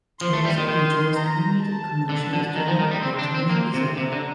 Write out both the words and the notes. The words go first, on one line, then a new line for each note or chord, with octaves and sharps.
It also features animated commercials during the course of an episode.
F3 C6
A3
G3
D#3
D#3 C6
A#5
A5
D3 A5
D3
D#3 A#5
F3
D#3
G3
C4 C6
D4
C4
A#3
C3
C3 A#5
D3